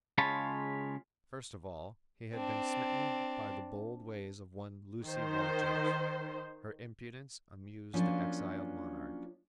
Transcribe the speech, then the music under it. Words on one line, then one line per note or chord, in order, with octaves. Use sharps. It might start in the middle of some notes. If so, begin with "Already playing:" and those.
First of all, he had been smitten by the bold ways of one Lucy Walters. Her impudence amused the exiled monarch.
C#3 G#3 F4 C#5 A5 B5
C4 D4
D#3 C5
F3 F#3 A#3 C#4 D4 F4